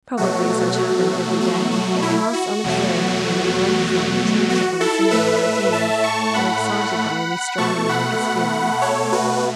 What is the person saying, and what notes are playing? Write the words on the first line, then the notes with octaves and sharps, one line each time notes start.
Probably such happen every day, but pass unobserved when the mind is not intent upon similar ideas, or excited by any strong analogous feeling.
B2 F#3 A3 F#4
F#4
F#4
E4
F#4
E2 B2 F#3 A3
F#4
F#4
E4 A4
A2 A3 B4 E5
E5 A5
A5 C#6
F#5 B5
B2 A3 A5 C#6
F#5 B5
A4 C#5
F#4 B4